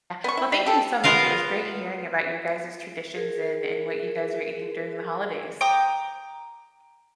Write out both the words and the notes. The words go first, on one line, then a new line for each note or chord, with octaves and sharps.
Yeah. Well, thank you so much, it was great hearing about your guys' traditions and and what you guys are eating during the holidays.
B3 C#6
E4
G3
G4 A4
B3 F4 A#4 F5
G#4 A#4
G5 A#5 D6 D#6